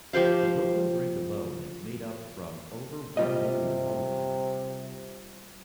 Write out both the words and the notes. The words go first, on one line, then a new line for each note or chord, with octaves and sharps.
The Brooklyn Bridge alone is made up from over one million polygons.
F3 G4 C5 F5
C3 G3 F4 D#5